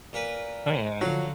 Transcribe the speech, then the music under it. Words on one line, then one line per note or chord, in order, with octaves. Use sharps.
Oh, yeah.
A#2 A#4 B4
D3 F3 F#3 F#4 F5